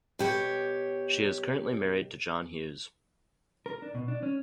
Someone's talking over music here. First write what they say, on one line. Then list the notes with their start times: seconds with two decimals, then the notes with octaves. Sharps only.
She is currently married to John Hughes.
0.19 B2 G4 C#5
3.66 A#4
3.82 D4
3.95 B2
4.08 D4
4.23 C#4